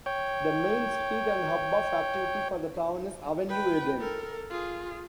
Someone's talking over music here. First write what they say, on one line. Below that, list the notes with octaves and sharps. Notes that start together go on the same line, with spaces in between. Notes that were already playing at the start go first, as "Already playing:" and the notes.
The main street and hub of activity for the town is "Avenue Eden".
C#5 G5
B4 G5
A4 A#4
F4 G#4